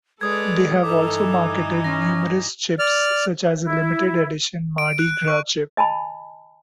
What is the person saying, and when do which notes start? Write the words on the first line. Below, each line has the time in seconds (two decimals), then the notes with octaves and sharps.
They have also marketed numerous chips such as a limited edition Mardi Gras chip.
0.21 G#3 A4 B4 D5 D#6 G#6
0.84 G2 E3 D#4 A4 D6
1.84 C#4 A#6
2.79 D5 F6
3.65 E4
4.78 D7
4.99 F#6
5.28 C#6
5.77 D#5 G#5 A5 B5